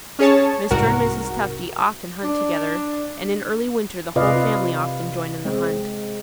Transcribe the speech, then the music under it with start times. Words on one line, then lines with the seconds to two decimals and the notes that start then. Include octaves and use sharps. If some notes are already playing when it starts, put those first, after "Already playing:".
Mr. And Mrs. Tufty often hunt together, and in early winter the whole family often join in the hunt.
0.19 C#4 G#4 C#5 A5
0.71 C2 G#2 F#4 A#4
2.23 D4
4.16 C3 F4 B4 D5 D#5 F5
4.36 F4
5.45 G#3 C4